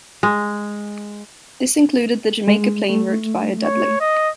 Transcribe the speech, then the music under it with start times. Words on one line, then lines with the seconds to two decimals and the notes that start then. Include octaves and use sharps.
This included the Jamaica Plain route via Dudley.
0.23 G#3
2.48 G#3
2.89 A3
3.63 C#5
4.01 D#5